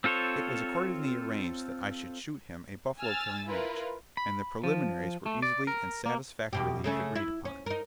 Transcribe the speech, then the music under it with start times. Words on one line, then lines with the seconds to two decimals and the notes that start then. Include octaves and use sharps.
It was accordingly arranged that I should shoot him a buffalo-killing match, and the preliminaries were easily and satisfactorily agreed upon.
0.04 C4 F4 A4 C5 C#5
2.99 G#5 E6 F6 A6
3.44 E4 F4 A#4 B4
4.17 B5
4.64 F3
5.26 A3
5.42 D5
5.67 A#4
6.06 A#3
6.53 E2 B2 G4
6.84 C#3 A3 C#4
7.15 E4
7.45 C#4
7.66 D#4 A#4